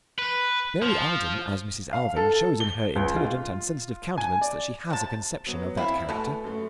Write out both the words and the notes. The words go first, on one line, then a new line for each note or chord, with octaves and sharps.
Mary Alden as Mrs. Alving shows in her intelligent and sensitive countenance that she has a conception of that character.
B4
F3
F5
A4
G7
C#2
F4
G#5
D5
C3 A5
F#3 B3
F2 E4 E5 F5
B2 E3 A3 A4
F#2 A3